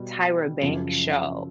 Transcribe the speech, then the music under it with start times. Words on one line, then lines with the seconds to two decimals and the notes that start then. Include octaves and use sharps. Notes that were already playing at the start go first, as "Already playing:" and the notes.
Tyra Banks' show
Already playing: B2 G3
0.62 F#2 C#3 F3